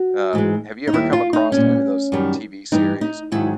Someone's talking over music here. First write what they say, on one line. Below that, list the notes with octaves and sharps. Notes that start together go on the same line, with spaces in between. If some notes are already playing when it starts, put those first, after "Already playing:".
um, have you ever come across any of those TV series
Already playing: F#4
G#2 E3 G#3
D#4
D#2 D#3 G3 E4
F4
D#4
A#2 G3 C#4
F#2 D#3 G3
G2 E3 G3 D#4
D#4
G#2 D#3 F#3 E4